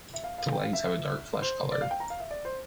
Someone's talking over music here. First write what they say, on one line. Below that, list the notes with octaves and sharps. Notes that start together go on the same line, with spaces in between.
The legs have a dark flesh color.
E5
F5
F5
G5
F5
E5
C5
D5
F5
G5
A#5
F5
E5
D5
C5